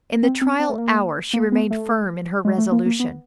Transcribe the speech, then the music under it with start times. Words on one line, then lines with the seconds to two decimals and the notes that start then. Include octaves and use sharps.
In the trial hour, she remained firm in her resolution.
0.23 C4
0.41 C4
0.60 C4
0.69 A3
0.78 A#3
1.33 A#3
1.52 B3
1.71 A3
2.45 G#3
2.58 A3
2.72 A#3
2.86 A#3
3.00 B3